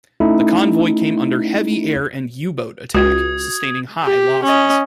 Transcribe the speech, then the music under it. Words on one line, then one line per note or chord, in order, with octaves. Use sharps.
The convoy came under heavy air and U-boat attack, sustaining high losses.
A3 C#4 D#4 E4
C#2 F#4 D#6 G#6
G4
C#4 D#5